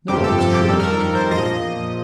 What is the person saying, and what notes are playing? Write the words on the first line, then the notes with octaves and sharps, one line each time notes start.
No one was truer to you than we were, you know.
G1 F2 C3 F3 G4
A4
A4
G4
F2 D#3 G3 A4
A#4
A4
A#4
C5
A#1 A#2 F3 D#5
D#5